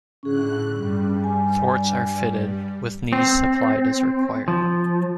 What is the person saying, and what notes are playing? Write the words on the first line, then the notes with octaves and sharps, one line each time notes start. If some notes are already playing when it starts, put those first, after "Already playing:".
Thwarts are fitted, with knees supplied as required.
A2 D3 C#4 G#4 F#6
G2 G3
G#5
C4
F3